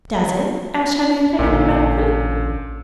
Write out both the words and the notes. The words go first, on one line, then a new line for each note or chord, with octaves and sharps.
"Does it?" asked Henriette, enigmatically.
A1 A#2 D3 C#4